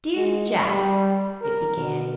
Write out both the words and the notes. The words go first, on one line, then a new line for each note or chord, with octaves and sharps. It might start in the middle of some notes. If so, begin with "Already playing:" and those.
"Dear Jack," it began.
G#3
G3
A#4
B2